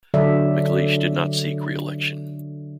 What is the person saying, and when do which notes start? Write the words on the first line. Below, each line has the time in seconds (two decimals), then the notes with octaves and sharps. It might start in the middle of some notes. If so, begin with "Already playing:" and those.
McLeish did not seek re election.
0.14 D3 F#3 A4 D5 E5